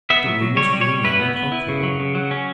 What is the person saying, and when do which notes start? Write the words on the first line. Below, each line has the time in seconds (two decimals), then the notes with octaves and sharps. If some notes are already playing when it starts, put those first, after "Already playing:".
The room was gloomy and uncomfortable.
0.10 B3 E5
0.26 F#3
0.42 F#3
0.56 G3 C#5
0.73 G3
0.81 C#5
0.89 G3
1.05 E4 B4
1.20 B3
1.36 B3
1.52 E4
1.68 C#3
1.83 F#3
2.00 C#3
2.15 F#3
2.31 C#4